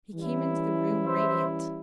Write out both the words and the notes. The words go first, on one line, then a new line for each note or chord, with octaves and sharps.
He came into the room radiant.
E3 G3 C#4 E4
C5 E5